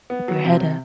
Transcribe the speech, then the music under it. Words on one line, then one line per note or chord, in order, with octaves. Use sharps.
Keep your head up.
B3
F#3
C3